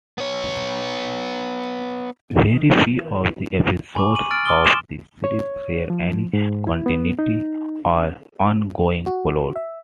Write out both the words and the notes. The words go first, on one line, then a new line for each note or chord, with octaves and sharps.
Very few of the episodes of the series share any continuity or ongoing plot.
B3 C#5
G#5 B5 C#6 D6
D#7 F#7
B5 E6 F6 A6 D7
C6 D6 D#6 F6 G7
E7
C#5
F3
G#2
E4
B3
D#4
F#4
E5